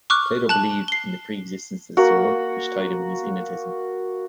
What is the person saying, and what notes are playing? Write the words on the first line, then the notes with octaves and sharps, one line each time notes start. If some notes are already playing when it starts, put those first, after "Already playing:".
Plato believed in the pre-existence of the soul, which tied in with his innatism.
C#6 D6 F6 F#6
A5 F#6 F#7
C7 G7
A#3 F#4